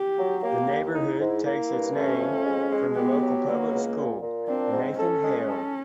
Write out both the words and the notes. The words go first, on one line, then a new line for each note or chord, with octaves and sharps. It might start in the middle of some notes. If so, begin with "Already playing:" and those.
The neighborhood takes its name from the local public school, Nathan Hale.
Already playing: G4
F#3
A#3 G4
D#2
D#4 E4
G#2
A#3
G2
A3 C#4
F2
G#3
G#3
B3 G4
F#3
A#3 B3
C#2
A#2
A#2
C4 D4
G#2
C#4 A4
G#3
A4